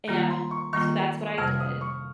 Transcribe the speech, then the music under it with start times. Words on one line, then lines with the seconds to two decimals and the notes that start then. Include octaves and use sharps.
and so that's what I did.
0.08 D#3 G3 A#3 F4 A#5
0.30 C6
0.51 C#6
0.73 D#3 G3 A#3 F4 C#6
1.38 F2 C3 G3 F6
1.60 D#6
1.81 C#6